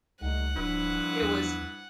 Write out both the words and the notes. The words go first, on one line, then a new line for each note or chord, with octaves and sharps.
It was
C#2 G3 A3 D#4 F#5
D1 G2 F3 D4 E4 B4
E2